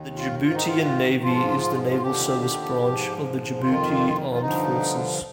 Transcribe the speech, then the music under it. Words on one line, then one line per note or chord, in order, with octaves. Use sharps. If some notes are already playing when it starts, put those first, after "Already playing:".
The Djiboutian Navy is the naval service branch of the Djibouti Armed Forces.
Already playing: D#2 D#3
F4
G#2 D#3 F4
D#4
F4
G#2 F3 F4
F4
D#2 D3 F3 G4
G#2 F3
F2 D#3 F4
F4
G2 D3 F3 D#4